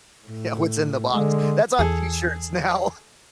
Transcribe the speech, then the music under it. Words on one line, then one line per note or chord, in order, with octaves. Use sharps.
yeah, "What's in the box?" That's on T-shirts now.
A2
D3 G#3
E2 G#4 A4